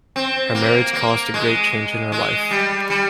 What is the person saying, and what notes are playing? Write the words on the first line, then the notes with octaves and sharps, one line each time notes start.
Her marriage caused a great change in her life.
C4
A#3
A#3
G#3
G#3
G3
G3